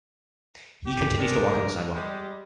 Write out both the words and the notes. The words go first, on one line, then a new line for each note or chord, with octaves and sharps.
He continues to walk on the sidewalk.
G4
G2 G#3 D4 A#4
G3 G#3 G4